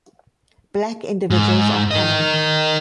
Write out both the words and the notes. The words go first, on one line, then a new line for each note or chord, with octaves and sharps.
Black individuals are common.
G#2
A#4 D#5